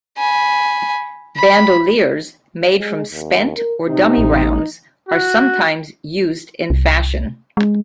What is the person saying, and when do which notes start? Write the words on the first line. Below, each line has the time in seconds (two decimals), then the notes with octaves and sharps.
Bandoliers made from spent or dummy rounds are sometimes used in fashion.
0.18 G#5 B5
1.36 B5
2.76 G#3
3.13 D#2
3.57 A#4
3.87 C3 D#4
4.18 A1
5.08 F#4
6.70 C2
7.57 G#3